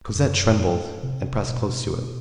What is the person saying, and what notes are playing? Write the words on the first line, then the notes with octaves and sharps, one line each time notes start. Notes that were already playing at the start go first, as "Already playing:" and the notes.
Cosette trembled and pressed close to him.
F#2
C3
B2
B2
B2